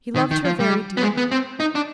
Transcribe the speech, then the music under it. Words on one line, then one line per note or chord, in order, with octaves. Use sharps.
He loved her very dearly.
D#3
D#3
F3
G3
B3
G#3
B3
C4
D#4
D4